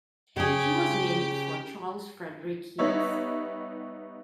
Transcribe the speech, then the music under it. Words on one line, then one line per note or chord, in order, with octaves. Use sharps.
She was named for Charles Frederick Hughes.
C#3 G4 G#4
G3 B3 D#4 C#5 E5